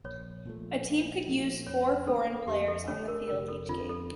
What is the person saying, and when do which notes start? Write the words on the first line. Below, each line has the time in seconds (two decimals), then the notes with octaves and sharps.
A team could use four foreign players on the field each game.
0.04 A#1 C#5
0.45 A#2 F3 A3
0.85 A#1
1.27 A#2 F3 A3
1.67 F2 C#5
2.06 D3 A3 D4 A4
2.47 F2 G4
2.68 A4
2.88 D3 A3 D4 C#5
3.08 A#4
3.28 F1 A#4
3.48 A4
3.69 F2 D3 F3 F4
3.89 A4